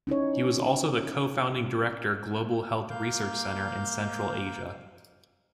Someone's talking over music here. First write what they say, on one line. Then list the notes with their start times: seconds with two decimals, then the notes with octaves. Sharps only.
He was also the co-founding director Global Health Research Center in Central Asia.
0.07 C#4 D#4 E4 C#5
2.90 A#3 F5 G6